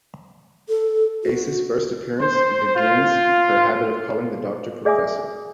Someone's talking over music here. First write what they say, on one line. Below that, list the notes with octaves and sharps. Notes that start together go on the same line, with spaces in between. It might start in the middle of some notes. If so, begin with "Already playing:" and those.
Ace's first appearance begins her habit of calling the Doctor "Professor".
A4
F#4
C5
F4
G#4 D5 E5 G#5 D6 D#6